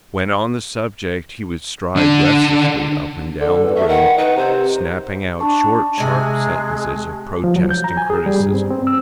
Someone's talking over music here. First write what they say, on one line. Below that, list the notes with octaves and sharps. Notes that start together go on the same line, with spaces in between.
When on the subject he would stride restlessly up and down the room, snapping out short, sharp sentences of protest and criticism.
D3 D4
D3 A4
E2
A3 E5
D#3 F#5
D#4 B4
C3 C5
D4 A5 C#6
C3 G#3 G#5
F3
F#3
G6
A#5
G#5
G#4
G3
G2
C4
C4
E6